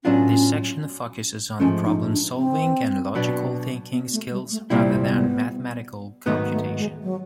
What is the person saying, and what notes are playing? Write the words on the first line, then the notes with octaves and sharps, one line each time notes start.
This section focuses on problem solving and logical thinking skills rather than mathematical computation.
A2 F#3 B3 C#4 D4 F4
G#2 F3 A3 C#4
D#4
D4
C4
B2 F#3 B3 D4
B3
A3
G3
A3
C2 A#2 G3 A#3 C4 E4
B3
G#2 D#3 F#3 A3 B3 D#4
A3
G#3
F#3